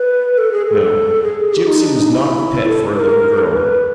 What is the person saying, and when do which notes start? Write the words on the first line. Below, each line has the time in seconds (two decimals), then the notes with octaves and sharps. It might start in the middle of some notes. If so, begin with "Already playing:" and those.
No; Gipsy was not the pet for a little girl.
Already playing: B4
0.38 A4
0.52 G#4
0.67 A4
1.23 G#4
1.39 G#4
1.53 G4
1.67 D#4
1.81 D4
1.95 D#4
2.10 E4
2.67 A4
2.96 B4
3.00 A#4
3.38 A4
3.45 A#4
3.52 B4